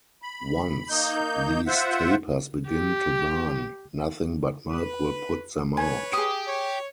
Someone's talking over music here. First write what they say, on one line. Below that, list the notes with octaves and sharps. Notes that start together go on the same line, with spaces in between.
Once these tapers begin to burn, nothing but milk will put them out.
B5
A#3 D#4 G6
F4 C5 E5 F#5
G4
B4
B4 C#5 G#5
G4 G#4 D#6
C#5